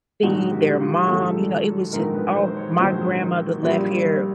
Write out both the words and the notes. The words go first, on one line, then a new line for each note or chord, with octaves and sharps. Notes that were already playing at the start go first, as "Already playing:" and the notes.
see their mom, you know, it was just oh, my grandmother left here
A#1 G#2 D#3 F#3 F#4
G4
F4
A#1 G#2 D#3 F#3 A4
A#1 G#2 D#3 F#3 A#4
B4
C5
C#5
A#1 G#2 D#3 F#3 C5
A#1 A#2 G3